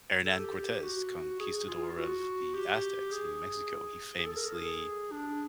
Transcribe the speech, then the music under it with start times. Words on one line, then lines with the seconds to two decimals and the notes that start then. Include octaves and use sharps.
Hernan Cortez, conquistador of the Aztecs in Mexico, he famously
0.25 A4
0.39 G4
0.82 F#4
1.40 G#4
1.68 F4
1.83 F4
1.97 F#4
2.54 G4
3.12 G#4
4.18 G#4
4.26 A4
4.36 A#4
4.45 A4
4.55 G#4
5.11 D4